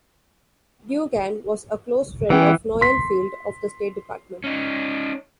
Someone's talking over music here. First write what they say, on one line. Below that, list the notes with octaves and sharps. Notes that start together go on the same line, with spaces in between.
Duggan was a close friend of Noel Field of the State Department.
E3 B3 C#4 G5
C6 B6
C#4 D#4